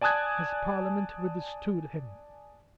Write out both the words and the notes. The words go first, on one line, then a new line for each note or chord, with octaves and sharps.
His Parliament withstood him.
D5 G#5 A5 D#6 F#6 G#6